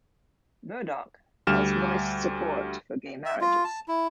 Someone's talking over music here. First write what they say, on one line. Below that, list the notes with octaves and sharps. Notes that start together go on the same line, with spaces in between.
Murdoch has voiced support for gay marriages.
D2 G3 F6 E7
E5
F4
A5
E4